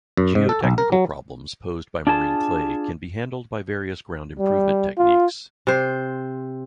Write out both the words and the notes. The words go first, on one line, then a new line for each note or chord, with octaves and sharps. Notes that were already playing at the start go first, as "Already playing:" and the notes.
Geotechnical problems posed by marine clay can be handled by various ground improvement techniques.
F#2
G#2
A4
B1
A#4
F#3
D4 F4 G#4 A5
G3
F4
C3 C5